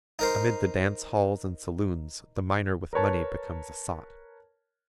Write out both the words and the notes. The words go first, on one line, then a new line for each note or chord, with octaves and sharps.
Amid the dance-halls and saloons the miner with money becomes a sot.
D#4 A#4 C5
A#4 B4 C#5 A5